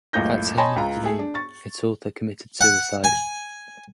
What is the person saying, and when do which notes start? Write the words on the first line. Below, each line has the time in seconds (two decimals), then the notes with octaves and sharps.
That same afternoon, its author committed suicide.
0.13 F#1 C#2 A2 F4 G6 A#6
0.58 C#5 D#5 G#5 A5 B5 C6
0.76 C#2 F4 A#5
1.03 A3 G#4
1.19 D4
1.34 C#6 A6
2.61 F#5
3.04 G#5